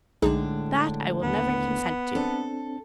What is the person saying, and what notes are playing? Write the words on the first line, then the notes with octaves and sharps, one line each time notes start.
THAT I will never consent to.
B1 A2 D3 G#3 D4 D#4 G#4
D#2 B3
C4 D4 A4